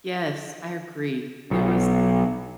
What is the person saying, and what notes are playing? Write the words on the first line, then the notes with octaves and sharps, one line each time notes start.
Yes, I agree. It was m
B1